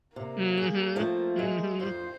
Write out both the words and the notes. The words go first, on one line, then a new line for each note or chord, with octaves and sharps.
Mhm. Mhm.
C3 A#3
G#4
F3 A3 C4
G#3
F2 C5